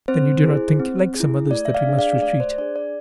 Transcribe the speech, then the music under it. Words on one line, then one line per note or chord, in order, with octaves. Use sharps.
"Then you do not think, like some others, that we must retreat?"
C4 C5
E4 G#4
C4
E4 G#4
A3 D5
E5
D5 F5
D4 G#4
D5 F5
A3 D5
C5
D4 G#4 D5
D5